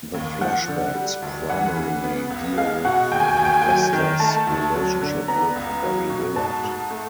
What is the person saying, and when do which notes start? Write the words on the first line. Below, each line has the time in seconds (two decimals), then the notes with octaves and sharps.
The flashbacks primarily deal with Esther's relationship with Buddy Willard.
0.14 D#2
0.41 F3 F#5
0.68 D3
0.95 G3
1.22 D2
1.49 E3 F#5
1.77 C#3
2.04 B3
2.30 C#2
2.58 G#3 F5
2.85 B2 F#5
3.12 D#2 G5
3.20 G#5
3.28 G5
3.37 D#2 G#5
3.45 G5
3.54 G#5
3.62 G5
3.65 F#3 G#5
3.79 G5
3.93 D#3
4.20 A3 A5
4.47 D2
4.74 F#3
5.01 D3
5.28 B3 A#5
5.55 C#2
5.83 F#3
6.10 B2
6.36 G#2 A5
6.63 G#2
6.90 A3